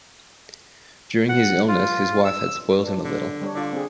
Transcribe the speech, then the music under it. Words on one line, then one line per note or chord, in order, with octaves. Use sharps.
During his illness his wife had spoilt him a little.
F#5
F4
E6
D4
D3
G3 D4 C#5
D3 F4 D5
C4 G#4